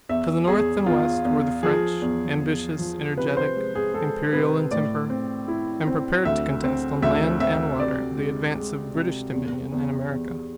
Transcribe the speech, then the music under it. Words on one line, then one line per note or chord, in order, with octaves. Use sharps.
To the north and west were the French, ambitious, energetic, imperial in temper, and prepared to contest on land and water the advance of British dominion in America.
E2 E5
E2 G#4
E2 F4
E2
F3 G#4
E2
E2
F3
C3 B4
C5
G#3
G#4
G#3 A4
C3 B4
A2 D5
C4
E4
C4
D2 E5
C4
D2 E5
C4 E5
C3 D5
G#3
G#3
C3
E2
E2
E2